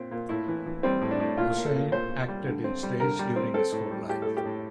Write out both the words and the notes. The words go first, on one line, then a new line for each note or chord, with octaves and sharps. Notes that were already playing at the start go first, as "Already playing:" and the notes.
Hossain acted in stage during his school life.
Already playing: A#2 C4
A#2
A2 E4
E3
E3
G3 C4
A2
D4
A2
A#2 F4
A#3
A4
A#2
A#2 C5
A#2
G3
D3
C4
G3
D3 A#4
G3
C4
C4 A4
A2
G3
A2 G4
A2 A4
G4
A2